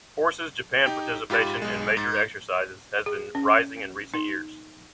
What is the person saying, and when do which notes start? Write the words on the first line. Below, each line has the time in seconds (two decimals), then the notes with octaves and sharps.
Forces Japan participation in major exercises has been rising in recent years.
0.86 D#4 G4 G5
1.30 G#2 F4 G4 B5 A6
1.62 B1 G#3
1.97 G#2 A6
3.06 G#4
3.35 C#4
4.14 D#4